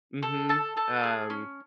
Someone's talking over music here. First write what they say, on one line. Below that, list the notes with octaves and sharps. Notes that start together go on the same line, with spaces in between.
Mhm, um,
A4
A4 A5
A4 A5
G#4
C#4